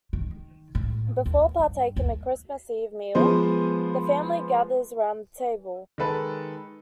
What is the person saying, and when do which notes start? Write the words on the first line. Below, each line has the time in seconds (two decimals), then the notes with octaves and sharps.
Before partaking of the Christmas Eve meal, the family gathers around the table.
0.13 D#3
0.75 A2
1.26 D#2
1.60 G2
1.96 D#2
3.15 F3 G#3 B3 B4 C5
5.98 D#3 G#3 A4 B4